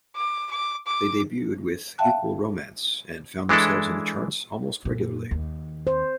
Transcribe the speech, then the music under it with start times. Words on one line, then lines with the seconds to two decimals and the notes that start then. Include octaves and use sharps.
They debuted with "Equal Romance" and found themselves on the charts almost regularly.
0.16 D6
0.51 D6
0.87 D6
1.98 E5 F5 G5 A5 F#6
3.49 E3 G#3 D4 E4 A4
4.85 F#2 A#2
5.31 D#2
5.87 C5